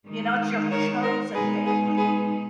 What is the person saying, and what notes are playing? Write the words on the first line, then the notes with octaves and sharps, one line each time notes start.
you know, it's your chosen family
D#3 G#3 D#4
A#4 C#5
A#4
B2 G#3 D#4 G#4 B4
G#4 B4
G#4 B4